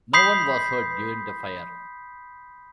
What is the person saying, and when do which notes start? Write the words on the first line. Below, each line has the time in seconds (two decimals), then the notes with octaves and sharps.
No one was hurt during the fire.
0.13 B5 C6 D#6 G6 B6 C7